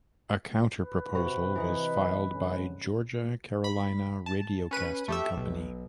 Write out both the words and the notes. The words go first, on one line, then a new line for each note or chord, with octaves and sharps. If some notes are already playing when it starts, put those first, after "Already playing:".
A counterproposal was filed by Georgia Carolina Radiocasting Company.
B4
C3 F#4
E3 D#4 D#5 F#5
D3 G#3 C#4
B5
A5
C#4 B4 D#7
A3 G4 E5
B1